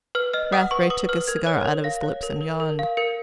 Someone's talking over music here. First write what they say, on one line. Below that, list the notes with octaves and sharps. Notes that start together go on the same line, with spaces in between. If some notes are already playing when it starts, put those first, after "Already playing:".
Rathbury took his cigar out of his lips and yawned.
B4 F6
D#5 F6
F#5 D#6
B4 C#6
B4 D#6
B4 F6
A#4 G#6
C#5
A#4
F5 A#6
C#5
A#4
A#4
A#4
F5
A#4 C#7